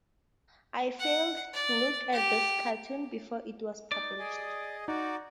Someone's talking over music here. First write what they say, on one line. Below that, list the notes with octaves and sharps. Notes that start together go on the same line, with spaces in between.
I failed to look at this cartoon before it was published.
F#5
D5
G4
D#4 D5
G#4 D#5
D#4 F#4 D5